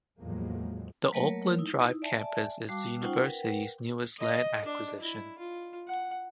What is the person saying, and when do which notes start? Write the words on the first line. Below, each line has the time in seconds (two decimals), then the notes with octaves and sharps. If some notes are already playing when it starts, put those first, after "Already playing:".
The Oakland Drive Campus is the university's newest land acquisition.
0.20 E2 A2 F3 F#3 G#3 A#3
1.13 F#3 A3 A#3 A#4 C#5
1.58 D#4 E4
2.02 D5 E5 G#5 A5
2.69 G3 F#4 F5 A5 D6
3.02 C#4 D#4 F4 C5 F#5 G5
3.21 A#4 B4 F#5 G5
4.20 D#5
4.65 D4
5.00 E4
5.38 F4
5.88 F#5